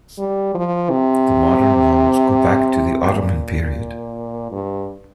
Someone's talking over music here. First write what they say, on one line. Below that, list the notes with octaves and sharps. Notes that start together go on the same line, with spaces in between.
The modern walls go back to the Ottoman period.
G3
F3
C3
A#2
G2